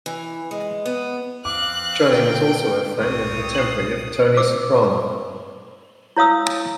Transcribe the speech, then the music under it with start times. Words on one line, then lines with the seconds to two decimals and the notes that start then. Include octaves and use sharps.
Johnny was also a friend and contemporary of Tony Soprano.
0.06 E3
0.51 G#3
0.86 B3
1.45 F2 C4 F5 D6 F#6
2.12 D3 A#3 G5
2.99 F1 C2 C4 C#5 D5 D#6
3.55 C7 F#7
4.37 C5 D6 E6
6.16 E4 C#5 F5 D#6 E6